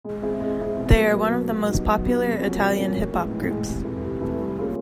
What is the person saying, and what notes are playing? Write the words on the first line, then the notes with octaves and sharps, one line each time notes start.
They are one of the most popular Italian hip hop groups.
G#3
C4 E4 G#4
G#3
C4 E4 G#4
B2
F#3 A#3
B2
F#3 A#3
F#3
B3 D#4 G4
F#3
B3 D#4 G4
C3
F3 A#3 C#4 F#4
C3
F3 A#3 C#4 F#4
A2
E3 G#3
A2
E3 G#3
C3
E3 A3
C3
E3 A3
G3
A#3 C#4 F4 G#4